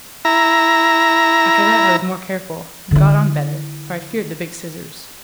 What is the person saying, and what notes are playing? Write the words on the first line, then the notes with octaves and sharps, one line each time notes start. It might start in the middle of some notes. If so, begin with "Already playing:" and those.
After that I was more careful, and got on better, for I feared the big scissors.
E4 A#5
D3 E4